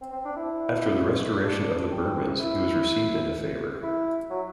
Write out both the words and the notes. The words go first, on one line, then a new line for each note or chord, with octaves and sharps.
After the restoration of the Bourbons he was received into favor.
C4
C4
D4
E4
D4
C4
E4
E4
F#3